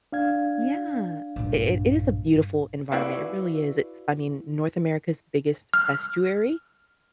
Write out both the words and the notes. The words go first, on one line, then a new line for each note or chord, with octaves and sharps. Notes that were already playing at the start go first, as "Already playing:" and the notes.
Yeah, i it is a beautiful environment. It really is. It's, I mean, North America's biggest estuary,
D4 F5 G#6
A#1 G2
E4 F#4 B4 D5 E5 F5
F6